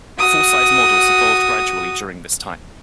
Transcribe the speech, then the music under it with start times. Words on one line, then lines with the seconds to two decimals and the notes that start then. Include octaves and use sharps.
Full-size models evolved gradually during this time.
0.19 F#4 D#6